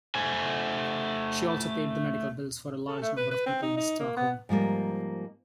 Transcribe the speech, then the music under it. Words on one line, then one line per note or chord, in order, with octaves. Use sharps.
She also paid the medical bills for a large number of people in Stockholm.
A3 C5 G#5
A4
A3
B4
B4
C4
D#4
D#4
A#3
B3
G#2 F3 G3 A#3